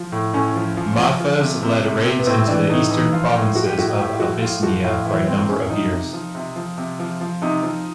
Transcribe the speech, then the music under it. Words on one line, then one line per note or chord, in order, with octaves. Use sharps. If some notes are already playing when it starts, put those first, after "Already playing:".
Mahfuz led raids into the eastern provinces of Abyssinia for a number of years.
Already playing: F3
A2
A2 C#4
F3
F3
F3
F3
C3
C3
C3
C3
B3
A2 C4
E3 D4
A2 D#4
E3 D#4
F3 F4
A2
F3 F#4
G4
A2 F#4
A2 G4
F4
F3 F#4
A2 F4
F3 F#4
A2 F4
E3 E4
A2 C4
A2 C#4
F3 D#4
C3
F3
C3
F3
C3
F3
F3
C3 D#4
F3